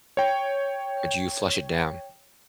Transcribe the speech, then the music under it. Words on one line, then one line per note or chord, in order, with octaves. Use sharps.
or do you flush it down?
C#5 G5